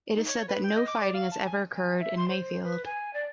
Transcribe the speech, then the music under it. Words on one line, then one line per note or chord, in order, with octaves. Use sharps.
It is said that no fighting has ever occurred in Mayfield.
D#4
C#5
B4
G5
D#5
D6
D5
F5
A5
G#5
G#5
E5
C6
C5
B4
G#5
D5